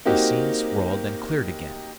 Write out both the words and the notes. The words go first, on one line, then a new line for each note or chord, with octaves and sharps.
The scene swirled and cleared again.
A#3 C4 D#4 F#4 G4